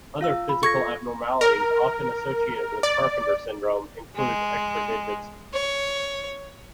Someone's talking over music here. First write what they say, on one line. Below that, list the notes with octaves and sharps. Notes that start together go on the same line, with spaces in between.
Other physical abnormalities often associated with Carpenter Syndrome include extra digits.
F4 F5 E6
B5
A4 C#6 G#6 A#6
A#4
D5
G#3
C#5